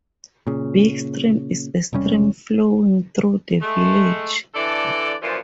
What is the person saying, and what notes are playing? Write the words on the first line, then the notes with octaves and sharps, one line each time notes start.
Big Stream is a stream flowing through the village.
A#2 C#3
E1 C3 G3 C#4
G#3 A3
D3 E3 A4 D5
F#2 A#2 E3 F3